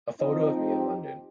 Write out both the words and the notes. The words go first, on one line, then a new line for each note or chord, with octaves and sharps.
A photo of me in London!
F3 C4 D#4 D#5
G4